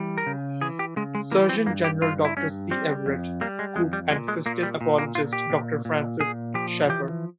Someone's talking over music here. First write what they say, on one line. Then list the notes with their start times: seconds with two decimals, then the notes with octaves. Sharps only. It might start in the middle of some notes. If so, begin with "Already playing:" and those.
Surgeon General Doctor C. Everett Koop and Christian apologist Doctor Francis Schaeffer.
Already playing: E3 G3
0.18 A#4
0.26 C#3
0.61 E3 G#4
0.79 G4
0.96 C#3 G#3
1.15 G#3
1.31 E3 A#3
1.49 C4
1.66 G2 A#3
1.84 G4
2.02 G2 F4
2.25 E4
2.37 G2 C#4
2.71 G3 C4
3.06 F2
3.41 G3 A#3
3.59 G#3
3.76 F2 G#3
3.93 G3
4.11 A#2 G#3
4.28 G#3
4.46 A#2 A#3
4.63 G3
4.81 A#2
4.99 A#3
5.15 A#2 F4
5.33 G4
5.50 A#2
5.85 A#2
6.20 A#2 G#4
6.54 F3 G4
6.89 E3 G4